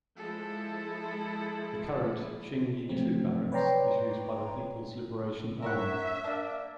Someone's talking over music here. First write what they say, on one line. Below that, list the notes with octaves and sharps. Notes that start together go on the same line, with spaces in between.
The current Ching Yi To Barracks is used by the People's Liberation Army.
F3 G#3 E4 A4
C3 F3 F#3 A3 C4
B4 C#5 D5 G5 A#5 C6
A#4 C#5 E5 F#5
A#3 D4